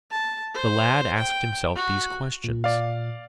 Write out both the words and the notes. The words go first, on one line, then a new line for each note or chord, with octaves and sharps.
The lad asked himself these questions.
A5
C5
G5
F#4
A#2
D5 F5